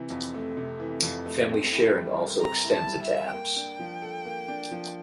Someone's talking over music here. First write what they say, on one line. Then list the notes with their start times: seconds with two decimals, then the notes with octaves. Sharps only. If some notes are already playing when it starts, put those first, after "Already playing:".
Family Sharing also extends into apps.
Already playing: C3 E3
0.10 F2
0.34 A3
0.57 C3
0.80 E3
1.03 F2
1.26 A3
1.49 C4
1.72 E4
1.95 G3
2.18 A#4
2.41 C4 A#5
2.64 E4
2.72 A5
2.87 G3
3.03 E5
3.10 A#4
3.33 A#3 G5
3.56 D4
3.79 F3
4.02 A4
4.25 A#3
4.48 D4
4.71 F3